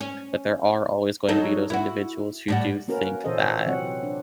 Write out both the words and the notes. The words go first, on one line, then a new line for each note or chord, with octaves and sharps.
but there are always going to be those individuals who do think that
C#4
F#3 D#4 A4
E4 F#4
A2 G3 F#4
A#3 C#4 F#4 A#4 B4
A#2 E3 C#4 A4 C5 D#5
C3 E3 F#3 C4 C#5 F#5
D4